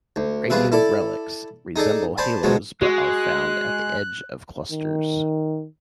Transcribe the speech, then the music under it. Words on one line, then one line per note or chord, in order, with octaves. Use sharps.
Radio relics resemble haloes but are found at the edge of clusters.
D2
C2 F4 G#4 B4 E5
E4 A4 D5
D#4 G#4 A4 D5
C5 D5 G#5 A5 B5
B2 F3 F#3 G#3
G#3 F#4 F#6
D#3